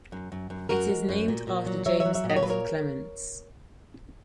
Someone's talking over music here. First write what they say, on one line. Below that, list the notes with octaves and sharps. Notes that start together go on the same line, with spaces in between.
It is named after James F. Clements.
F#2
F#2
F#2
F#2 F#4 A#4
G#3
F#2
A#2
A#2
F#3
F#3 C#5 E5
C#5 E5
F#3
C#5 E5
A#2
D#5
C#5
F#3 B4
A#4 C#5